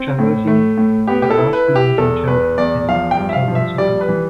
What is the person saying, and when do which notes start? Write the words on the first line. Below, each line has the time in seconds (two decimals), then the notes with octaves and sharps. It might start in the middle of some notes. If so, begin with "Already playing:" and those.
Traversing the rough mountain terrain in October took a month.
Already playing: C4
0.19 A2
0.47 A3
0.77 A2
1.07 B3 G4
1.22 G4
1.30 A4
1.37 E4
1.53 B4
1.67 E4
1.76 G4
1.98 E2 A4
2.27 E2 B4
2.58 E2 D5
2.89 F3 F5
3.11 G5
3.17 G2
3.29 E5
3.33 F5
3.48 F3
3.55 E5
3.78 G3 D5
4.01 B4
4.09 E3